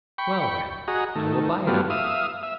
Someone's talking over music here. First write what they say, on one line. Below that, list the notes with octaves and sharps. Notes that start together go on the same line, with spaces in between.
"Well, then, I will buy it of you!"
G5 B5 C#6
F#4 G#4 D#5 A#5
D#3 A3
F#3 G3 A3 B3 F4
E5 F5 D#6
E5